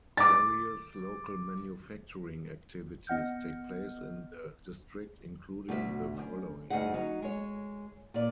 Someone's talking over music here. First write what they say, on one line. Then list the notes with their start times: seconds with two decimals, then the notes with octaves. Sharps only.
Various local manufacturing activities take place in the District including the following.
0.17 D6 A6
3.07 B3 D#5 F#5 F6 G6
5.68 D2 B2 G4 E5
6.19 F#2
6.70 D2 G2 D#4 G#4 F#5
6.94 F#3 D#4
7.22 G#3 C#5
8.14 A#2 D5